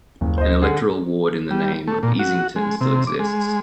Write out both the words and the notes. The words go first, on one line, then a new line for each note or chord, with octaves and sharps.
An electoral ward in the name of Easington still exists.
F#1 D#2
D2 C5 D#5
D3 G#4
G3
A3
A#2
F#4
G#3
C3
D6
G#3